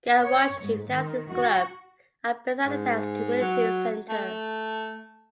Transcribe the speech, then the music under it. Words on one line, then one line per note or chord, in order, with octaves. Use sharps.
Garioch Gymnastics Club are based at the towns Community Centre.
C#5
G#2
D#3
F#4
G#2
F#3
A3